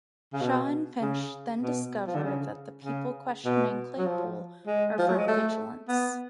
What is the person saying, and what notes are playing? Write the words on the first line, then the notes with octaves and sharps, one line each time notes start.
Shaw and Finch then discover that the people questioning Claypool are from Vigilance.
C#3
B2
C#3
B2
F3
D3
C#3
C#3
B2
F#3
F3
G#3
F3
F#3
G#3
A3
B3